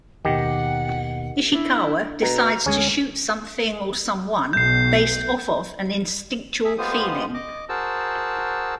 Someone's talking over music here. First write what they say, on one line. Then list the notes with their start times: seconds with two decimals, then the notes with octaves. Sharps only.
Ishikawa decides to shoot something or someone based off of an instinctual feeling.
0.25 D#2 B2 D#3 G4 F#5
1.52 D4 E4
2.22 B2 A#5
2.66 D2 G#3 C#4 G#4 C#5
4.53 B1 B2 G6 C7
6.64 G#4 E5
6.78 G#3 B3 F4 G4 C5 D#6
7.34 D#5 D6
7.69 F#4 G#4 A#4 C5 A5 E6